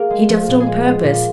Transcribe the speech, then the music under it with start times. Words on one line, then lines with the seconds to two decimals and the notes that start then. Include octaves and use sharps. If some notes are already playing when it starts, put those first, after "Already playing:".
He does it on purpose.
Already playing: A#3 G#4 A#4
0.10 G#3
0.29 F3
0.48 A#2
0.60 G#4
0.67 G#3
0.84 G#3
1.03 A#2